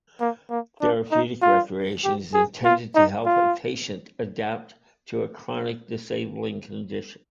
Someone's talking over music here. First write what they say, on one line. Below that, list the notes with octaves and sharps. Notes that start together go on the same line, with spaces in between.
Therapeutic recreation is intended to help a patient adapt to a chronic disabling condition.
A#3
A#3
D4
D#4
F4
G4
G#4
F4
D#4
F4